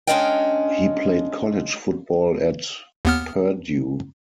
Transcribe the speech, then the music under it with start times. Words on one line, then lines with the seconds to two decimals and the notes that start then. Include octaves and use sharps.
He played college football at Purdue.
0.07 G#3 C#4 D4 D#5 F5 G5
3.05 D#2 B3 F6